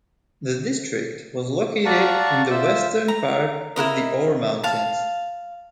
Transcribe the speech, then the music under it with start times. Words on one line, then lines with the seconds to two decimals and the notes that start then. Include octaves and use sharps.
The district was located in the western part of the Ore Mountains.
1.85 D5 F5 F#5 A5 A#5 C#6
2.51 F4 C5 E5 E6
3.08 A#5
3.76 E4 F#4 A#4 D#5
4.64 F5 A5